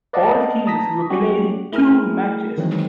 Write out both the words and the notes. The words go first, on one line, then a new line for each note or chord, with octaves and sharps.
All teams were played two matches.
B4 D5 D#5 F5 F#5 A5
A5 A#5 D#6 A#6 B6
F#3 G3 C#4 F#4 G4
A3 E4 G#4 A#4 F6
D#3 E3 F#3 G#3 C4